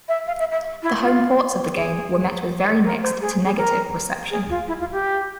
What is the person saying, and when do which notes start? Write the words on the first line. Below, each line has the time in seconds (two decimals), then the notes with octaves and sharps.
The home ports of the game were met with very mixed to negative reception.
0.08 E5
0.27 F5
0.39 E5
0.51 E5
0.83 E4
1.00 F4
1.74 G#4
2.84 A#4
3.03 C5
3.21 G#4
3.45 G#4
3.57 A#4
4.31 G#4
4.50 F4
4.68 E4
4.80 F4
4.92 G4